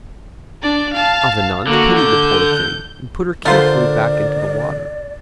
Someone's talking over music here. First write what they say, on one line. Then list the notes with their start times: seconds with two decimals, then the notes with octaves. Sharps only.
Avenant pitied the poor thing, and put her carefully back into the water.
0.62 D4 D5
0.93 F5 A5
1.67 D3 A#3 F#4
1.97 G6
3.45 D3 A3 F4 A#4 C5 D5